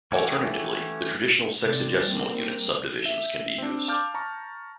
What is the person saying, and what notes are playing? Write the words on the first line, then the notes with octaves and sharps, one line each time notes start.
Alternatively, the traditional sexagesimal unit subdivisions can be used.
E3 A3 C#4 F#4 G4
C3 A3 D5 A6
G3 A#3 C4
E5
C4 D4
F5 A5 D6 F6 G6
A5 A#5 C#6